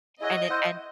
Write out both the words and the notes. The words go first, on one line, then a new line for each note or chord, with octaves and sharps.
and it and
E4 G#4 C#5 D#5 F#5
E4 C5 F#5